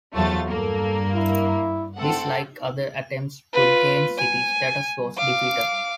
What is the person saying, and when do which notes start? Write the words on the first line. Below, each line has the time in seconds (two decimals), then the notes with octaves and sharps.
This, like other attempts to gain city status, was defeated.
0.14 E2 F3 F#3 A3 F4 A6
0.50 G2 A#3 A4
1.15 E4
1.97 A3 C4 A4 F#5
3.53 F4 B4
4.18 G#5
5.17 F5 D6